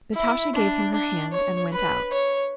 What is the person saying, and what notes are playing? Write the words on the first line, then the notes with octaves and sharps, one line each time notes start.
Natasha gave him her hand and went out.
E4
D4
D4
C#5
B4
C#5